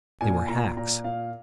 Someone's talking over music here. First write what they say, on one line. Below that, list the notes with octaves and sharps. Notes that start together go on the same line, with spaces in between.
They were hacks.
A#2 G#5
A#2 A#5
A#2 A#5
A#2 F5